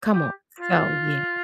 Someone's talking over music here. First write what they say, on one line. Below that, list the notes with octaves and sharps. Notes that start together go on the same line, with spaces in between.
come on, so, yeah.
G4
F4